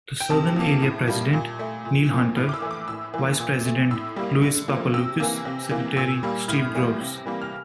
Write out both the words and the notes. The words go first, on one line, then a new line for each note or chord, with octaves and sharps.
The Southern Area President: Neil Hunter, Vice President: Louis Papaloukas, Secretary: Steve Groves.
G5
C3 A5
F3 A#3
A2
G3 A#3
A#2
A3
A#2
F3 A#3
A2 F6
D6
E6
E3 A3
D6
A2 E6
E3 A#3
A#2
A3
A2 E6
G3 A#3
D3
F3 A#3
C3 E6
E3 A#3
C3
E3 A#3
A#2 E6
G3 A#3
A2 F6
E3 G3 A#3
C3
E3 G3 A#3
F6